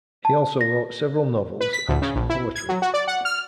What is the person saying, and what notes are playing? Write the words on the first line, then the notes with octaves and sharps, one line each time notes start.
He also wrote several novels and some poetry.
A5
A#6
B4
B6
D2
C#3
A#1
E4
G#6
F#3
F#4
D5
F#5
F6